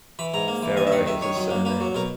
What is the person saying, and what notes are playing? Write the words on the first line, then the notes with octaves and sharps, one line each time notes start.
Farrow is a surname.
E3 B5
G#2 A#5
A#3
E3
D#2 G#5
E5
D#3 F#5
D#3 E5
D#3 C#5
F#2
A#3
A#3 B4
F#3
B2 A#4